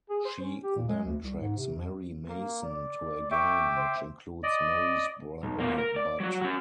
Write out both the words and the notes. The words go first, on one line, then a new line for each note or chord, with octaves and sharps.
She then tracks Mary Mason to a gang, which includes Mary's brother, Bud.
G#4
C5
C#4
G4
A#2
G#3
D2
C2
G#2
C3
F2
A#3
D5
E5 G5 C#6 D6
C5
D5 D#5
B1
B2 A#3
A#4
D5
F#3 F#4
C#4 F#4